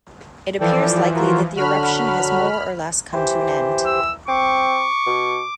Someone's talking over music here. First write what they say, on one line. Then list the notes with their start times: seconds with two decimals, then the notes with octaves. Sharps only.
It appears likely that the eruption has more or less come to an end.
0.60 E3 F3 A4 D5 G5
1.15 F4 F#4 A#4
1.56 D3 F#3 F#4 B5 F6
3.13 E3 G4 C5
3.86 E6
4.28 C4 C#6 D6
5.07 B2